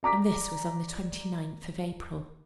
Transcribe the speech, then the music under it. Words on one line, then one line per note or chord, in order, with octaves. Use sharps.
And this was on the twenty-ninth of April.
D5 A#5 D6 B6